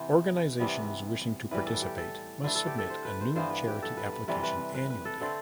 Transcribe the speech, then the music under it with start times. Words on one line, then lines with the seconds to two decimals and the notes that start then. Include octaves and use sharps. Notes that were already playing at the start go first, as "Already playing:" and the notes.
Organizations wishing to participate must submit a new charity application annually.
Already playing: C3 E3 B3 C5
0.60 C3 E3 G3 B3
1.51 A2 E3 G3 B4
1.66 A4
1.82 G4
1.98 A4
2.44 D3 A3 B4
2.55 A4
2.67 G4
2.78 A4
2.90 C5
3.05 B4
3.21 C5
3.36 G2 E3 B3 C5
3.51 B4
3.67 G4
3.82 A4
3.97 B4
4.13 B4
4.28 C3 E3 G3 B4
4.43 B4
4.74 B4
4.90 B4
5.05 A4
5.21 D3 A3 C4